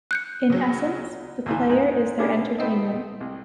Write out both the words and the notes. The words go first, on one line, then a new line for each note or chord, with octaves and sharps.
In essence, the player is their entertainment.
F#6 G6 C#7
C#3 F#3
D2 A#2 E3
G#2
C3 A#3 B3 C#4 D4 G#4
A3 B3 C4 D#4
C2